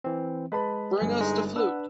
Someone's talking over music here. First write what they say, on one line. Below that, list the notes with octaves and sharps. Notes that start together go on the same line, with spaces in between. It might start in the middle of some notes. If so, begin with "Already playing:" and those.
Bring us the flute!
E3 C4
G#3 B4 A5 B5
G1 G#5
G#3 D#4
D4 B4 F#5 E6